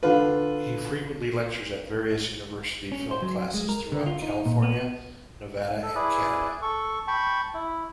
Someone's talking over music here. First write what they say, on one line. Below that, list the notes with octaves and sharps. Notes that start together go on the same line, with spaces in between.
He frequently lectures at various university film classes throughout California, Nevada and Canada.
D3 F4 B4
C#4
C5
F#3
G#3
A#4
D3
F4
D#4
A#2
B3
A4
E4 G#4 B4 D5
A4 C#6
G5 A5 B5 C#6
E4